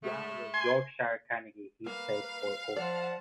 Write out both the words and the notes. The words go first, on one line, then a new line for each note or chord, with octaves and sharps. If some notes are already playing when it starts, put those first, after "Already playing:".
While with Yorkshire Carnegie he played for Otley.
A2 G#3 A3
G#5 C6
A#3 B4 F5
F3 D5 F#5 A5